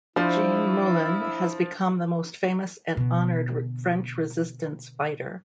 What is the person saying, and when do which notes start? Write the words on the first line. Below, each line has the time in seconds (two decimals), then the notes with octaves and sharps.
Jean Moulin has become the most famous and honored French Resistance fighter.
0.16 F3 D4 E4 C5
2.97 B2 D3